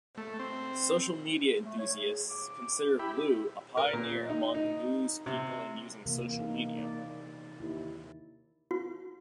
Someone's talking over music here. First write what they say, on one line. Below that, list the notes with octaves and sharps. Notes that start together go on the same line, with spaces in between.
Social media enthusiasts consider Loo a pioneer among news people in using social media.
A3
C4
A3
C#5
G#4
D6
E4 G4 B5
A#4
A#2
D#4
D#4
C3
C3 E3 A#3
D#4
D5
D#2 E4
F#4